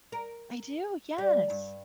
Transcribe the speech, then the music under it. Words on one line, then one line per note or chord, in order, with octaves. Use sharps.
I do, yes,
A#4
G3
G2